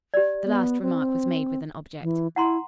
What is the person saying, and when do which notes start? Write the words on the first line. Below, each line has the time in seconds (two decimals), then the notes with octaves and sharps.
The last remark was made with an object.
0.14 G4 D5
0.45 B3
0.82 C4
2.02 E3
2.36 E4 F#5 A#5 C6